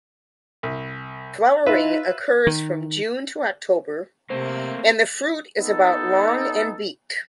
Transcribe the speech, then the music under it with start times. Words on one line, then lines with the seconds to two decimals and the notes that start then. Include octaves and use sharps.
Flowering occurs from June to October and the fruit is about long and beaked.
0.63 C2
1.66 D#4 F4 B4 E5
2.47 D#3
4.30 C3 A3 A#3 C4 C5
5.58 B3 D#4 A4